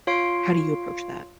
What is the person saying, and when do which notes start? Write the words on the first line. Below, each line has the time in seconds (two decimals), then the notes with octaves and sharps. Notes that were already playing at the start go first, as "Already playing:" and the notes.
how do you approach that?
0.07 F4 C#5 F5 C6 C7 D7